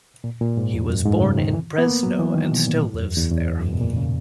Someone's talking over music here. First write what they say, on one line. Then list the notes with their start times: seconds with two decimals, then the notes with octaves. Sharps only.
He was born in Brezno and still lives there.
0.24 A#2
0.41 A#2
0.57 G#2
0.73 E2
0.89 F#2
1.05 G#2
1.21 C#3
1.38 D#3
1.53 E3
1.78 B3
1.86 A#3
2.03 F#3
2.19 E3
2.34 D#3
2.51 B2
2.67 A#2
2.83 G#2
2.94 E2
3.00 F#2
3.17 E2
3.32 E2
3.60 F#2
3.64 G#2
3.73 B2
3.81 A#2
3.97 C#3